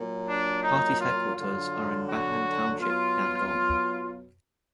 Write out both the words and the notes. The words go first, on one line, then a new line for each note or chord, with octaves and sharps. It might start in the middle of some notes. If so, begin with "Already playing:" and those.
The party's headquarters are in Bahan Township, Yangon.
Already playing: A#2 F#3
D4
D#4
F4
D3 F#3 F4
F#4
B2 F#3 F4